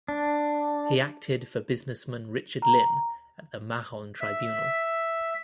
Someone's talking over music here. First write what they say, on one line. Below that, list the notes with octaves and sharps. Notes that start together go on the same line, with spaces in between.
He acted for businessman Richard Lynn at the Mahon Tribunal.
D4
A#5
E5